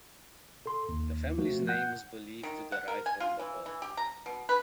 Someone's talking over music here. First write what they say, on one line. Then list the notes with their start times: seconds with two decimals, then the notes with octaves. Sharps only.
The family's name is believed to derive from the herb.
0.66 A4 C6
0.89 D#2
1.38 F3 A3 F#4
1.67 F#5 F#6 G6
2.43 D#3
2.72 F#5
2.88 A#4
3.06 G#5
3.20 F4
3.39 E3
3.66 E3
3.82 G4
3.97 A#5
4.26 B2
4.49 B4